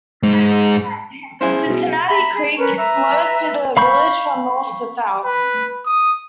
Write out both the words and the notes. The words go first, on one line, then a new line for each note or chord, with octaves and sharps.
Cincinnati Creek flows through the village from north to south.
G#2 G#3
C#4 E4 G#4 C5
B2
E5 A#5 B5
G#4
C#4 A#4 B4 C#6
B4 E5 A#5
F5 B5 C#6 G6
B4
D#6